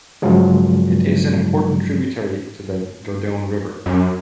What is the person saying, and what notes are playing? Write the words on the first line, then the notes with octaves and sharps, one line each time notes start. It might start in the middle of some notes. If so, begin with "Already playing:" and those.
It is an important tributary to the Dordogne River.
G2 C#3 F3 F#3 G#3
F#2